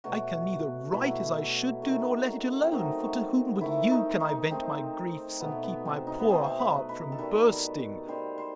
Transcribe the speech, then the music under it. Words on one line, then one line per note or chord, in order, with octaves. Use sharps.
I can neither write as I should do, nor let it alone, for to whom but you can I vent my griefs, and keep my poor heart from bursting!
B2 F#3 A3 F#4
B2 F#3 A3 E4
D#3 F#3 A3
C4
D#3 F#3 A3 D#4
A3
D#3 A3 E4
D#4
D#4
D#3 A3 C4
B2 A3 B3
B3
C4
D#4
B3
B2 A3 C4
B4
B4
A4
D#3 G3 B4
D#3 G3 C5
C5